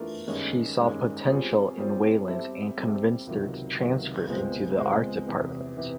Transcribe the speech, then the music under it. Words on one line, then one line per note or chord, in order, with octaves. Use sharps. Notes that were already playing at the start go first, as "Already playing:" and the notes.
She saw potential in Wieland and convinced her to transfer into the art department.
Already playing: E3 A3 D4 F4 A#4
G2 D#3 G#3 C#4
G2 D#3 G#3 C#4
G3 C4 F4 G#4 C#5
G3 C4 F4 G#4 C#5
G3 C4 E4 A4
G3 C4 E4 A4
C#2 C3 D#3 F#3
C#2 C3 D#3 F#3
C#2 B2 G#3 C4
C#2 B2 G#3 C4
E2 C3 E3
C3 E3